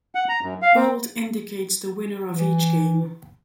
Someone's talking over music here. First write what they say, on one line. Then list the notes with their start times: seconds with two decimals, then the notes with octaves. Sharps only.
Bold indicates the winner of each game.
0.15 F#5
0.29 A#5
0.42 F#2
0.62 F5
0.76 C4
2.29 E3